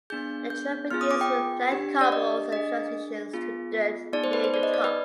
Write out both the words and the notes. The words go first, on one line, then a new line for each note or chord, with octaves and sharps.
The trail begins with flat cobbles and transitions to dirt near the top.
B3 D4 G#4 G6
G6
B3 F4 G#4 F6
D#6
D6
G5
D4 G4
D5
D#5
D4 G#4 D#5
B3 F4 G#4
B3 D#4 G#4 D5
C5
B4
C5
D5
D#5
D5
B4